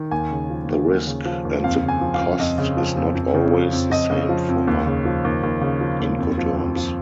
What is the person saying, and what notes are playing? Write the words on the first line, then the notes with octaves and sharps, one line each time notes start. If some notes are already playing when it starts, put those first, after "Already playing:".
The risk and the cost is not always the same for Incoterms.
Already playing: D#3
D#2 G#5
C#3
F3
D#2
D#2
C#3
F3
D#2
F2 F5
C#3
G#5
F3
F5
F2
F2 D#5
C#3
F3
F2
F2
C#3
F3
F2
F2 D#5
C#3
F3
F2
D#2
C#3
F3
D#2
D#2
C#3
F3
D#2
F2
F3
F2
F3